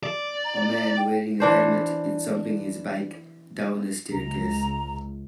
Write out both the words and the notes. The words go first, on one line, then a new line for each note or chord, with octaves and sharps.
A man wearing a helmet is jumping his bike down a staircase.
D5
A#5
G5
E3 D4 C5
C#2 A#5